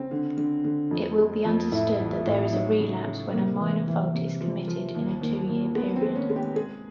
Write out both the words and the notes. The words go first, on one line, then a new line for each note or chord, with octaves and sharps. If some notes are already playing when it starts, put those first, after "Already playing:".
It will be understood that there is relapse when a minor fault is committed in a two-year period.
Already playing: C#3 C4
D3
D3
D3
F2
G#3
F2
A2 E4
A1
A2
F#3 D#4
C#3
C#3
C3 A#3
E3
E3
C3
F3
F3
D#2
D#2
D#2
G#3 B3
C4
G#3
C#4
G#3
G4
G#3 G#4